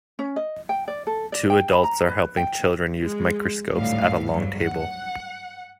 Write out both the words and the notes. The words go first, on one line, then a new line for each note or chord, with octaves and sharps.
Two adults are helping children use microscopes at a long table.
C#4
D#5
G5
D5
A4
D5
G5
B5
A#5
B4
G5
G#3
G#1 D2 A2 G3 F5
G2 F#3
F#5